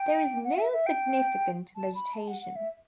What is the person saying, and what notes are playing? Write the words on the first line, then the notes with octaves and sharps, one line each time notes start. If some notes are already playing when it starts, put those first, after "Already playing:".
There is no significant vegetation.
Already playing: G5
F#5
E5
E5
G5
A5
B5
A5
F#5
F#5
E5